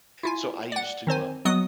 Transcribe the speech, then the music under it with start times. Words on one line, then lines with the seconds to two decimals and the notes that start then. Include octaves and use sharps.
So I used to, um
0.23 E4 F4 G#5
0.72 D5 F#5
1.07 D#3 C4 C5 G#5
1.45 F#3 B3 D#5 D#6